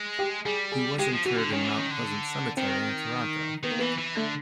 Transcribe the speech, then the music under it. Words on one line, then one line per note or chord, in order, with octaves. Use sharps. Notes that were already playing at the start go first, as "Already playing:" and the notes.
He was interred in Mount Pleasant Cemetery in Toronto.
Already playing: G#3
G4
G3 G#4
G#4
G#3 G4
F3
E3 F#4
D3
D#3 C#4
E3
D#3
D3
D#3 C4
D#3 B3
A#3
E3 B3
E3
D3 A3